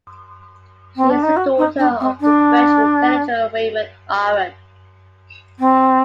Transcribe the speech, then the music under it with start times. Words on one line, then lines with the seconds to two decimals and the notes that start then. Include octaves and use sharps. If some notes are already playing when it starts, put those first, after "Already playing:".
She is the daughter of the French intellectual Raymond Aron.
0.96 C4
1.10 D4
1.22 D#4
1.36 F#4
1.57 D#4
1.78 D4
2.00 C4
2.20 D4
5.59 C4